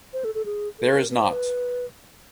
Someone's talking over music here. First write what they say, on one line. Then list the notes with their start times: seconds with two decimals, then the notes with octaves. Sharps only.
There is not.
0.13 C5
0.24 A4
0.35 A4
0.46 G#4
0.79 A4
0.95 A#4
1.11 B4
1.22 C5
1.32 B4